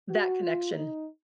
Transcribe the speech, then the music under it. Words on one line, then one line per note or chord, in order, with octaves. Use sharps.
that connection,
F#4
F4
D#4